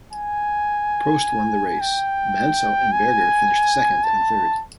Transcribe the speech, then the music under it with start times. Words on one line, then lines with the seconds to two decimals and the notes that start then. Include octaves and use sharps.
Prost won the race; Mansell and Berger finished second and third.
0.13 G#5
1.81 G5
2.92 G#5
4.04 A5